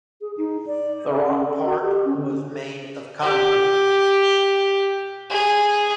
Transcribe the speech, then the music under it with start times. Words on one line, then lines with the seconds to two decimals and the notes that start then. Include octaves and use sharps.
The rock part was made of concrete.
0.21 G#4
0.37 D#4
0.67 D5
1.09 E5
1.25 C#4
1.47 A4
1.65 F#4
1.82 G4
2.05 C#4
2.17 D3
3.22 G4
5.30 G#4